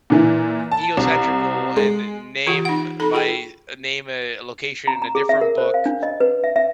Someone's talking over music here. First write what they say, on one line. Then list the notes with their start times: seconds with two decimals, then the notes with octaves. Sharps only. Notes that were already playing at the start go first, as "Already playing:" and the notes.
ego centrical and n name my name a location in a different book.
0.10 A#2 E3 E4
0.72 A5
0.97 C2
1.76 G#3
2.47 E3 F4 G4 F#5
2.65 D#4 F#5
3.00 D#4 A4 A#5 B5
3.14 F4 G#4 G5
4.87 A#5
5.02 A#5
5.15 G#4
5.29 E5
5.41 A#4
5.58 C5
5.74 F5
5.86 D4
6.03 D#5
6.20 B4
6.44 E5
6.56 E5